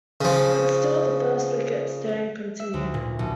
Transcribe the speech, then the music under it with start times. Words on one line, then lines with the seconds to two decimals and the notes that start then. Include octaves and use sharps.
But still the first-wicket stand continued.
0.21 C#3 F3
2.60 E5
2.74 D2
2.94 A#2
3.19 B1